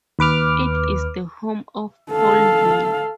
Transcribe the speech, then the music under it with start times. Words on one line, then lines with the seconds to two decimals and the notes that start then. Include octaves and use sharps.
It is the home of Paulville.
0.19 D#2 B4 D6 F6
2.11 A4 F5